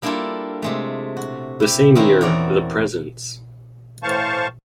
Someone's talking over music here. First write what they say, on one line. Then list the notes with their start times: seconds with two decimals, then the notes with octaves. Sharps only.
The same year, the Presents...
0.02 G3 A#3 D4 E4 F4 A4
0.62 C3 G#3 A3
1.17 F#4
1.60 E4 G4
1.95 D#3 C4 C#4 E4 F#4 A#4
2.21 E2 F#4 D5 A#5
4.03 A2 E3 C5 F5 A5 C#6